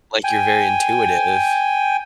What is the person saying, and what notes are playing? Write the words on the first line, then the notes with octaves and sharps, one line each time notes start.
like you're very intuitive
G5 G#5